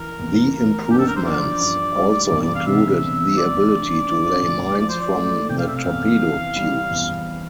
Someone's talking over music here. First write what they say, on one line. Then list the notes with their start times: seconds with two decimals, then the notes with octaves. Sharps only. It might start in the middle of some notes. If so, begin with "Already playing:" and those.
The improvements also included the ability to lay mines from the torpedo tubes.
Already playing: E3 A#4
0.19 E2
0.54 A#3
0.90 G2 G4
0.98 A4
1.07 A#4
1.16 C5
1.25 F3 D5
1.61 G2
1.95 G3
2.32 E2
2.55 F5
2.66 C3 E5
3.02 E2
3.37 G3 D5
3.73 D4
4.08 D3
4.43 D2
4.78 F3 D5
4.89 C5
5.00 D5
5.14 A3
5.49 C3 G5
5.58 F5
5.67 E5
5.76 F5
5.85 E2
6.21 E3
6.56 G3
6.91 E2